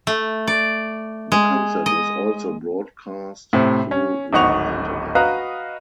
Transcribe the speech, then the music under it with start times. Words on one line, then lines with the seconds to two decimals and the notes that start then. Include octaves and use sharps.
The concert was also broadcast through the Internet.
0.07 A3
0.47 D5
1.32 G#3
1.86 D#5
3.53 A2 C3
3.91 C#4
4.33 D1 G#1 D#4 F#5 C#6 F7
5.15 F#4 B4 D#5 F5 A#5